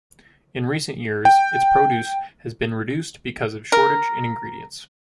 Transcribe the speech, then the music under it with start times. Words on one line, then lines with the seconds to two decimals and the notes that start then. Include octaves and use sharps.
In recent years its produce has been reduced because of shortage in ingredients.
1.25 G5
3.72 A#4